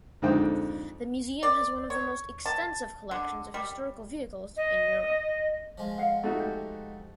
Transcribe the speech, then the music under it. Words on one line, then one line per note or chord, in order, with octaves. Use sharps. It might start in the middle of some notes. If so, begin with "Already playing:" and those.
The museum has one of the most extensive collections of historical vehicles in Europe.
F2 G#2 D3 C5 G5
D5
C#5
A5
D3
G3
D#5
F3 G#3
F5 F#5
A3 D#4 F#4
G4